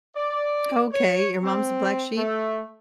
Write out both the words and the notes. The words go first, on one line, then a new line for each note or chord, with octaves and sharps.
Okay, your mom's the black sheep?
D5
C#5
C4
A3